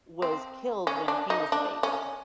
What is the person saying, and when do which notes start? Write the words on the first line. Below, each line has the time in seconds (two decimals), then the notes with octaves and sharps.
was killed when he was a baby.
0.22 C4
0.87 C#4
1.08 D4
1.30 D#4
1.52 D4
1.83 C#4